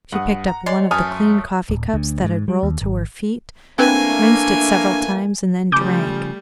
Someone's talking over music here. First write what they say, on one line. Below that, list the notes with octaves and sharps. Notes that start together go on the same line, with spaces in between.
She picked up one of the clean coffee-cups that had rolled to her feet, rinsed it several times, and then drank.
G2 F#5 D#6
A#5
G#3 C#5 D5 C6
F#2 A3 G#5 D#6 F6
D1
D2
G#2
G3
D#2
G#1
E3 A3 A#3 C4 D4 B4 G#5
C#3 F3 G3 A3 D6 G6